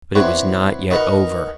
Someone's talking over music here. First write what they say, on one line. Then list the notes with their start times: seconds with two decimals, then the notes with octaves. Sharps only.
But it was not yet over.
0.15 C4 D4 E4 F#4 B4 C#5
0.91 D#4 F#4 A#4 B4 D#5 F#5